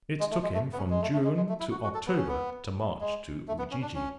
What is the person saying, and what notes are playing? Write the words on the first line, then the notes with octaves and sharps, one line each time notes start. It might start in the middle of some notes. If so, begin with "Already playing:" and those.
It took him from June to October to march to Ujiji.
G#3
A3
G#3
A3
B3
C#4
G#3
A3
A3
G#3
G#3
A3
E4
F#4
F#4
A4
B3
C#4
B3
G#3
A3
B3
C#4
D4
C#4